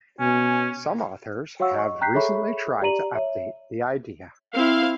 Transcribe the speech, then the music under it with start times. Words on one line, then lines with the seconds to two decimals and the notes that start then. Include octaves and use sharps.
Some authors have recently tried to update the idea.
0.20 B2 C#4 G#5
1.60 F#4 C#5 F5 F#5 C#6 E6
1.75 D#5 C#6
2.01 G5 A#5 F#6 G6 B6 C7
2.14 G#4 A4 C#5 E5 B5 C#6
2.82 G4 D5 A#5 D#7 F#7
3.15 C#5 E5
4.53 C4 E4 F5